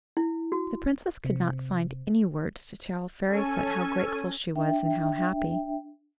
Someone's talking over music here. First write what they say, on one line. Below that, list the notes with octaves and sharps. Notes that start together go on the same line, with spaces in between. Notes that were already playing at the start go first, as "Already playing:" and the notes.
The Princess could not find any words to tell Fairyfoot how grateful she was and how happy.
E4
F#4
C3
C#4 A4 G#5
D4 E5 G5